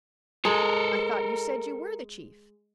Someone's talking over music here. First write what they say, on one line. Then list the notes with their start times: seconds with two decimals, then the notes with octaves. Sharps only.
"I thought you said you were the chief?"
0.45 G#3 A4 A#4